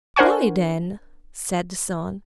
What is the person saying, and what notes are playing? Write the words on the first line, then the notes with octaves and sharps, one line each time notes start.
'Die, then,' said the son.
D4 A#4 C5 F#5 G#5 C#6